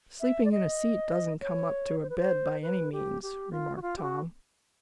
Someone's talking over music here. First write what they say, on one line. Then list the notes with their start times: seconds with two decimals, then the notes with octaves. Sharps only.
"Sleeping in a seat doesn't come up to a bed, by any means," remarked Tom.
0.20 E5
0.45 D5
0.52 D#5
1.41 C#5
2.02 C5
2.10 B4
2.18 C5
2.62 B4
2.93 G4
3.23 G4
3.52 F4
3.76 F#4
3.82 F4
3.97 G4
4.02 F#4